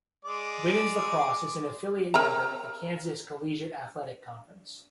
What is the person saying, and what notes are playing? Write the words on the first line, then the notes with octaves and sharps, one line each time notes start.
Women's lacrosse is an affiliate member of the Kansas Collegiate Athletic Conference.
G#3 D5 D6
A#4 C#5 A#5